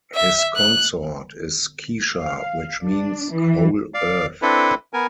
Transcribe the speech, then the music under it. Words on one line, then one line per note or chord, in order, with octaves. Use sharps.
His consort is Kishar which means "Whole Earth".
E5
F#6
F5
D4
E3
D5 F5
C4 D4 E4 A4 B4
B3 A#4 G#5